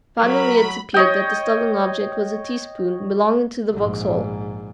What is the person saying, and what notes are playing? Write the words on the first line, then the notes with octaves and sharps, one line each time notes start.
Finally it appeared that the stolen object was a teaspoon belonging to the Vauxhall.
F#3 A#4 B5
C#5 D#5 G5
A#1 G#2